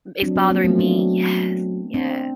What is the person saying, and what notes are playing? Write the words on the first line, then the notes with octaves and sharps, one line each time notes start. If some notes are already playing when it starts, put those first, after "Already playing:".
M "It's bothering me." Yes, yeah.
F#3 C4 D4
B3 C#4
A#3 C4
A3 B3
C4 D4
C4 D4